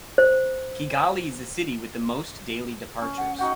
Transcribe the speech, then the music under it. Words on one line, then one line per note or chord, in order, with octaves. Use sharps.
Kigali is the city with the most daily departures.
C5
C#4
F#5
D#4 F#4 F#5 G5